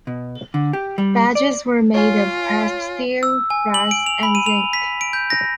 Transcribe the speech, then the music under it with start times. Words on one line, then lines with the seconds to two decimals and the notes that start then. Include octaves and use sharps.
Badges were made of pressed steel, brass and zinc.
0.07 B2
0.54 D3
0.73 G4
0.98 G3
1.35 D5
1.95 F4 C#5 G#5
3.23 E6
3.50 G#5
3.74 F#7
3.91 D7
4.06 F7
4.23 B5
4.35 D#7
4.46 F7
4.73 B6
5.01 D7
5.13 G6
5.30 A#6